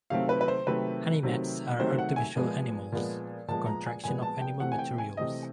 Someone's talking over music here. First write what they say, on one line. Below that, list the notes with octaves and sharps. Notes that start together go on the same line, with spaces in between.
Animats are artificial animals, a contraction of animal-materials.
C3 D#3 F#3 A3 C4 F5
B4
B4
C5
C3 D#3 F#3 A3 C4 B4
C3 D#3 F#3 A3 C4
C3 D#3 F#3 A3 C4 C5
F#5
G#5
A#2 F3 G#3 B3
A#2 F3 G#3 B3
A#2 F3 G#3 B3 A5
A#5
G#5
A#2 F3 G#3 B3 G#5
A5
G5
C3 E3 A3 C4 F#5
G#5
G5
G#5
C3 E3 A3 C4 D#5